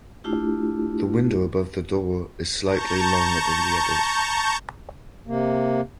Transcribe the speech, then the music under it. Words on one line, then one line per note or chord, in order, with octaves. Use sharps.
The window above the door is slightly longer than the others.
A3 D4 E4 F4 G4
A5 A#5 C#6 G6
C3 A#3